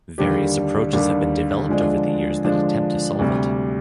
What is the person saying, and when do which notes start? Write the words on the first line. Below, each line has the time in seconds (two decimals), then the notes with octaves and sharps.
Various approaches have been developed over the years that attempt to solve it.
0.18 D#2 D3 G3 D4 G4
0.93 D#2 D3 G3 D4 G4
1.69 D3 F3 G#3 D4
2.44 D3 F3 G#3 D4
3.19 D2 C3 G3